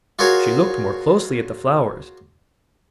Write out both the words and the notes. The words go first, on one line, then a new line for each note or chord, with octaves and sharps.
She looked more closely at the flowers.
F4 F#4 G#4 A#4 C#5